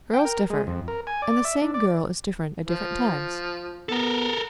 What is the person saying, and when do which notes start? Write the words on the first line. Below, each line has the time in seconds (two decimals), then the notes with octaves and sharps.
Girls differ; and the same girl is different at different times.
0.13 G5
0.25 A#4
0.50 G#3
0.67 F2
0.88 A#4
1.07 G#5
1.22 D5
1.45 E5
1.62 D4
1.74 D5
2.66 F3
3.89 B3 A4 A#4